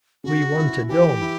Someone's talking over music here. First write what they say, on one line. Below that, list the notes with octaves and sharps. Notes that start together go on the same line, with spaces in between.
We want a dome!
C#3 F#4
E4
E3 G4
E4